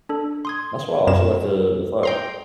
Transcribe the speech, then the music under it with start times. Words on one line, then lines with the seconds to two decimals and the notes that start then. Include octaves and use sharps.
That's why I also like to to fi
0.09 D4 A4
0.45 C6 D#6 G#6
1.07 F#2 E7
2.03 G5 A#5 C6